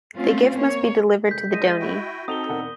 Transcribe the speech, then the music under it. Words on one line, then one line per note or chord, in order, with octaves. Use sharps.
The gift must be delivered to the donee.
A3 C4 C#4 F4
A#3 C#5
F1 G#3 G6 B6
A#2 D3 G#3 D#5 A#6 D#7
E4 F#4 G5
C4 D#4 F#4 A4 D#6 F7 G7
E1 A#4 F#5